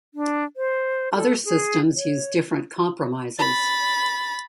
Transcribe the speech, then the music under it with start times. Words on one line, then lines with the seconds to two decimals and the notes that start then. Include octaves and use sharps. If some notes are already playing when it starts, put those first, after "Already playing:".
Other systems use different compromises.
0.14 D4
0.57 C5
1.15 A4
1.45 G#4
1.96 C#5
3.39 B5 A6